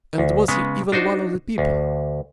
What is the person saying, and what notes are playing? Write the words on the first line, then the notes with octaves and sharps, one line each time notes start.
And was he even one of the people?
D2
C#3 G#3 B3
D4 D#4 F#4 C5
D2